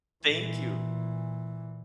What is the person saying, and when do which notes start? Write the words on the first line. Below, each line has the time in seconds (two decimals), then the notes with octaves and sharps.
Thank you.
0.24 A#2 E3